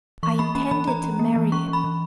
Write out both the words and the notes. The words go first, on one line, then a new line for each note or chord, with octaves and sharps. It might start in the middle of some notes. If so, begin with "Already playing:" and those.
I intended to marry him.
E3 C#6
A#3 B5
C#4 B5
E3 B5
E3 A#5
C#4
A#3
E3
C#4 C#6
E3
B5
E3